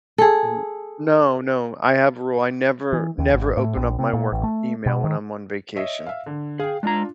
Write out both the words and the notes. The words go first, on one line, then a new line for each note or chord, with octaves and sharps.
Mm no no, I have a rule, I never, never open up my work email when I'm on vacation,
G#4 A4
E3
D#2
G#1
A2
A#1
C3
A#2
A1
A3
B2
D#3
C#5 D#5 E5
E5 F5
D3
G#4 F5 G5
G#3 D4 F4 A#5